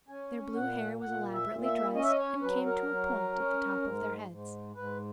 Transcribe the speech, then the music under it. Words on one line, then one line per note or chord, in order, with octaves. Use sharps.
Their blue hair was elaborately dressed and came to a point at the top of their heads.
C#4 G#5
A#2 F#5
A#2 F#5
E5
A#2
E5
C#4 D#5
E5
D#5
C#5
F#3 B4
A#4
F#3
C#4
G#2
G#2
G#2 B4